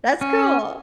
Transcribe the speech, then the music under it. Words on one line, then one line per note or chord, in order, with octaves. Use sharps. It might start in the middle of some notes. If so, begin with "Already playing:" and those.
That's cool.
C#4